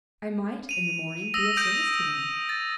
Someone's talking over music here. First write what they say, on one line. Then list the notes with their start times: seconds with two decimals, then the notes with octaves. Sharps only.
I might, in the morning, be of service to them.
0.69 D#7 F7
1.34 D#6 E6 A#6
1.57 D#6 G6 A#6 D7 D#7
2.49 A6